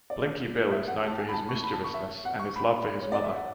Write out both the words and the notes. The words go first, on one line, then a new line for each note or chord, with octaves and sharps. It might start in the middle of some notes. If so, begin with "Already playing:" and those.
Blinky Bill is known for his mischievousness and his love for his mother.
D5
E5
F#5
A5
G#5
B5
A5
C#6
B5
A5
C#6
E5
F#5
C#6
B5
C#5
D5
E5
F#5